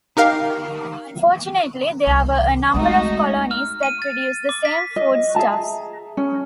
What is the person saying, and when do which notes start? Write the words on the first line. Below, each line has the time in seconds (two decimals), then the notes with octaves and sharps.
Unfortunately, there were a number of colonies that produced the same foodstuffs.
0.17 D#4 G4 A#4 F5
2.07 C2
2.74 G#3 A3 C4 D#4 F#4
3.51 F6
3.83 D#7
4.02 A6
4.49 D6
4.65 B6
4.96 D#5
5.35 G#4 E5 A5 A#5
6.17 C#4